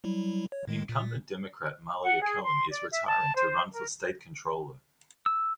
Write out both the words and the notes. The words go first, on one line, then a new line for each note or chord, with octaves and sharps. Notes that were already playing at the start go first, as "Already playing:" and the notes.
Incumbent Democrat Malia Cohen is retiring to run for state controller.
F#3 G3 E4
C#5
A2 D#3 G#3
A#2
F#5
G#4
C6
D5
E5
A5
C5
A#4
E6